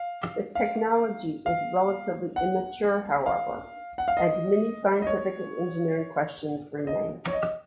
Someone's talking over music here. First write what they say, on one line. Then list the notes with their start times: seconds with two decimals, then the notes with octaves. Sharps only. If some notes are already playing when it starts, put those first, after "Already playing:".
The technology is relatively immature, however, and many scientific and engineering questions remain.
Already playing: F5
0.55 F5
1.46 F5
2.36 F#5
3.26 F5
3.98 F#5
4.08 F5
4.17 D#5
5.02 D#5
5.07 C#5
6.87 D#5
7.28 C#5
7.33 D#5